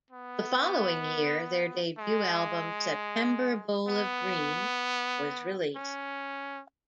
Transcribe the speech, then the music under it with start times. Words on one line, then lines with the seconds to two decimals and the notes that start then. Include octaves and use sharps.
The following year, their debut album "September Bowl of Green" was released.
0.11 B3
1.99 G#3
3.88 B3
5.76 C#4